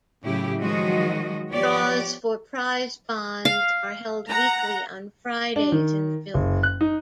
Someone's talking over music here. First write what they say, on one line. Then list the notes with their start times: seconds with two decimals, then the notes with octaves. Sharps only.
Draws for Prize Bonds are held weekly, on Fridays, in the building.
0.24 A2 C#3 F#3 E4 G4
0.61 D#3 F3 F#3 G#3 F#4 D#5
1.50 F3 B3 G4 C#5 D5
3.45 F5
4.30 F#5 A#5
5.56 D4
5.72 D#3
6.34 F#1
6.63 F#6
6.81 D#4